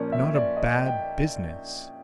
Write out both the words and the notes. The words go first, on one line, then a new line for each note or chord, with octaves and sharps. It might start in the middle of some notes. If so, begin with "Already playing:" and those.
"Not a BAD business?"
Already playing: A#2 F3 A#3 C#4 D5
E5
D5
D#5
G5